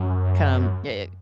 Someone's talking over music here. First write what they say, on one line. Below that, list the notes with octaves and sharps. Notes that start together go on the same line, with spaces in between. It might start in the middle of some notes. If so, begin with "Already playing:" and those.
come Yeah
Already playing: F#2